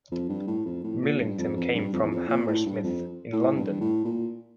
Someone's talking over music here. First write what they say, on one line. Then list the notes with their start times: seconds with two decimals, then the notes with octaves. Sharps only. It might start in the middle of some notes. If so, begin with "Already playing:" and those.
Millington came from Hammersmith in London.
0.12 F2
0.29 G2
0.47 A2
0.66 F2
0.84 A2
1.02 A#2
1.20 G2
1.39 F2
1.57 F2
1.75 G2
1.94 F2
2.02 E2
2.11 F2
2.29 A#2
2.48 A2
2.66 G2
2.84 F2
3.32 A2
3.57 G2
3.81 A2
4.05 A#2